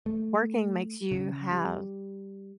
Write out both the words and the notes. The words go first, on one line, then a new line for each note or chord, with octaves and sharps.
working makes you have
A3
C#3
G3